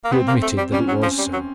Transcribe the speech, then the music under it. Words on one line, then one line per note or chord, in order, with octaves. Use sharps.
He admitted that it was so.
A#3
B3 C4
A#3
A3
G3
G3 C#4
F#3
F3
G3
F#3